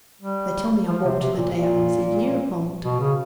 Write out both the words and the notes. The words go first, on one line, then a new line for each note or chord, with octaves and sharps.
They tell me I walked the day I was a year old.
G3
F3
C3
C3
A#2
A#2
B2
C#3